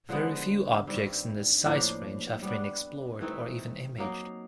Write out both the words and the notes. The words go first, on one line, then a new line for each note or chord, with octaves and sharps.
Very few objects in this size range have been explored or even imaged.
D3 F3 G#3 B3
G2 D#3 G3 C4
A2 F3 A#3 D4
G3 B3 D4
E3 A3 C4 D#4
F#3 A#3 D#4